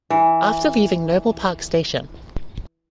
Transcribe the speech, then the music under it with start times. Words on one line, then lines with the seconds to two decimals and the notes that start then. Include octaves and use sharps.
After leaving Noble Park Station.
0.10 E3